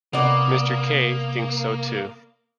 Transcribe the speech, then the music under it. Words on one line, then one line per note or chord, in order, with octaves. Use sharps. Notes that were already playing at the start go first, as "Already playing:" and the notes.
Mr. Kay thinks so too.
C3 A#3 B3 D5